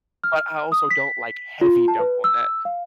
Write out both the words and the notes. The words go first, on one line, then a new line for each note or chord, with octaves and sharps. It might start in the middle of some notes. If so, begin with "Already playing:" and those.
But I also don't like heavy dump on that.
F6
D#6
B6
F4
A5
B4
E6
F5